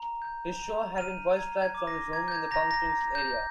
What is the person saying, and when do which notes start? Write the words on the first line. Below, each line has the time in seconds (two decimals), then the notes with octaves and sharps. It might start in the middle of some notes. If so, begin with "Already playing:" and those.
His show had been voice-tracked from his home in the Palm Springs area.
Already playing: A#5
0.22 G6
0.60 A#5 F7
0.98 F6 D#7
1.36 A#5 G#6
1.62 G#6
1.75 D6
1.87 A#6
2.13 A#5 G#6
2.28 G6
2.32 G#6
2.51 A#5 A#6
2.71 A#6
2.90 A#5
3.15 G6
3.28 G6